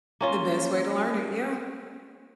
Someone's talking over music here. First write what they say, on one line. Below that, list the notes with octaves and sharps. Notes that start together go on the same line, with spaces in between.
The best way to learn it, yeah.
A#3 C#4 F4